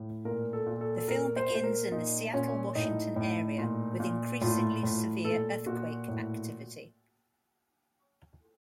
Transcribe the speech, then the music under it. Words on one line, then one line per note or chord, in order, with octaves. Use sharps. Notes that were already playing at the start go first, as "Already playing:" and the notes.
The film begins in the Seattle, Washington area with increasingly severe earthquake activity.
Already playing: A2
A#2 A#4
A4
A#2
A4
A4
A#2 A#4
C5
A#2
C5
A#4
A#2 D#4
A#2 C#4
A2 D#4
A2
A#2
A#2
A2 F4
A2
A#2 A4
A#2 F#4
A2